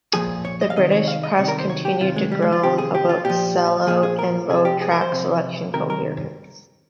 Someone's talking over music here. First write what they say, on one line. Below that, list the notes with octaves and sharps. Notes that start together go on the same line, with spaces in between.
The British press continued to groan about sell-out and low track selection coherence.
A#2 F3 G#4
C#5
D#5
F5
C3 D#3 D#5
C#5
F5
D#5
C3 D#3 C#5
A#4
C5
C#5
G4
C3 D#3 F4
G#3
G3
G#3
F4
C3 D#3 G4
G#4
G4
F4
A#2 F3 G4
A#2 F3 G#4
G#4
A#4
C3 F3 G#4
G4
G#4
A#4
C5
C3 F3
C3 D#3 A#4
A#4